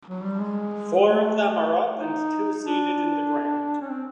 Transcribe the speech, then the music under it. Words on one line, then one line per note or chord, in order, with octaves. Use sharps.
Four of them are up and two seated in the ground.
F#3
G3
G#3
A3
D#4
D4
C#4
C4